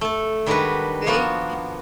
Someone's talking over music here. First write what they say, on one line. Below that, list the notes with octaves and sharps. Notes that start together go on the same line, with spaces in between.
Thank you
A3 A4
D#3 G3 G#3 D4 F#4 B4
F3 A#3 B3 F#4